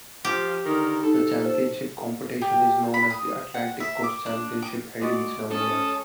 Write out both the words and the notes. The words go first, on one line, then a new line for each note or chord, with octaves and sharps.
The championship competition is known as the Atlantic Coast Championship held each November.
F3 F4 G4
D3 D#3 A#4
D#4 A4
C5
G4
B5
D#6
F#5
E5
D6
D4
D6
G#3 F#4 D5 D6
C#4 A4 D#6